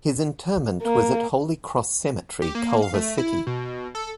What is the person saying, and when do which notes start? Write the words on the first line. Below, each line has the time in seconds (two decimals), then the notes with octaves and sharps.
His interment was at Holy Cross Cemetery, Culver City.
0.82 A#3
2.42 G4
2.55 A#3
2.82 F5
2.94 A3
3.18 E4
3.47 B2
3.95 A4